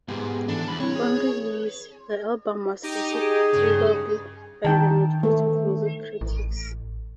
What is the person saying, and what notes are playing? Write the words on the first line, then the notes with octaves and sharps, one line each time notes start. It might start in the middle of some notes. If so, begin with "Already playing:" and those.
On release, the album was received favourably by the majority of music critics.
G#2 B3 G4 G#4
D3 E3 D4 A4
E2 B5
C4 E4 C#5
G#4
D#4 G4 D#5
G#4
G2 C#3
D#3 D#4 G5 A5
A3
A1